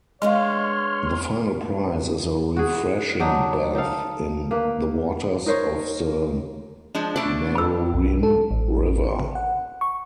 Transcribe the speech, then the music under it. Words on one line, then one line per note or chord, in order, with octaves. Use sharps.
The final prize is a refreshing bath in the waters of the Maruim River.
G#3 B3 D4 C#5 D#5 F5 C6 F6
F#4 G#4
F#3 D4 D#4
D#4 A4 F5
A#3 B4
D#4 A#4 C5 C#5
F3 G#3 D4
B2 A3 D4 D5
B5 E6
B1
A4
A1
F#5
C#6